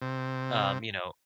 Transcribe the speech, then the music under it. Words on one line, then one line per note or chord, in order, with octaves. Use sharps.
Um, you know.
C3